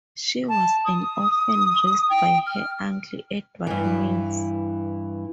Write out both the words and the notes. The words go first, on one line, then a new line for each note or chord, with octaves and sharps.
She was an orphan raised by her Uncle Edward Mills.
A5
D#6
G5
F6
G2 E3